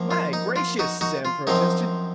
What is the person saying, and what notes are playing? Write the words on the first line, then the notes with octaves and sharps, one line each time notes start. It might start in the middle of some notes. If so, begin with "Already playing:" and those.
"My gracious!" Sam protested.
Already playing: F#2 F3 A#3
F4
D#4
F4
D#4 F#4
D#4 F#4
F4
F#2 F3 C4 D#4